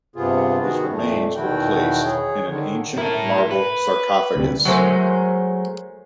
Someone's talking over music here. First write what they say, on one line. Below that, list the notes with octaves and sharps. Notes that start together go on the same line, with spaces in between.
His remains were placed in an ancient marble sarcophagus.
G2 C3 B3 F4 G#4
D#3 B3 F#4 G#4
F2 A#2 A3
E2 B2 D#3 E4 F#4 G5
G#4 C#5
D3 D#3
E4 A4 A#4
B4
D2 C3 G3
F#3 G#3 A3 A#4 C5